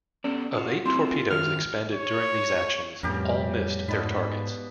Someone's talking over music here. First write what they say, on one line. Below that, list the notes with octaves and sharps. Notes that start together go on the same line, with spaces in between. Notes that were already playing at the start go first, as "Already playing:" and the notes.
Of eight torpedoes expended during these actions, all missed their targets.
B3 C#4 A4 D5
F4 F#4
C4 E4 F#4 C6
F4
G#2 D#3 F4 F6
C#5
F2 A2 C#3 G3 B3 C#4 G4 A#4
G#2 B2 F4 D5 D#5 A5 B5